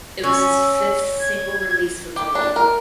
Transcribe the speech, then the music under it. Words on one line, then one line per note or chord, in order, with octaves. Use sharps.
It was his fifth single release with the label.
C#4 E6
G#6
G4
D4
A#4